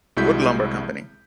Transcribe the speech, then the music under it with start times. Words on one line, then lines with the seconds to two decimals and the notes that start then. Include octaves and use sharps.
Wood Lumber Company.
0.17 C2 G#3 E4 F#4 G6 B6